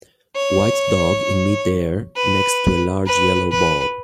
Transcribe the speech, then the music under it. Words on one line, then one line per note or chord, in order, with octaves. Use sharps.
White dog in midair next to a large yellow ball.
C#5
B4
B4
B4